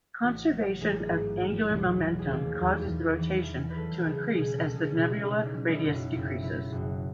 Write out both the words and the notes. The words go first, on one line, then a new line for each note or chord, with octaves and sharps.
Conservation of angular momentum causes the rotation to increase as the nebula radius decreases.
A1 F#4
F#3
A1 G#4
G#2
F#3
E1
F#3 F#4
G#4
D#2
E2
E2
E3
E3
B4
F#3 A4
C#2 G#4
B2 G#4
A4
C#2
G#4
B2 E4
C#4
B2 D#4
F#3 C#4
D#4
E4
F#1
F#4
F#1 E4
F#3 E4
F#1 F#4